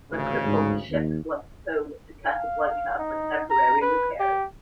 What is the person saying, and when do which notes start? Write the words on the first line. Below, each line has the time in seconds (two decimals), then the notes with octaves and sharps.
The crippled ship was towed to Casablanca for temporary repairs.
0.12 A1 D2 C#3
0.45 G#2
0.90 D#2
2.26 F5
2.99 D#4
3.50 A#5
3.82 B4
4.20 G4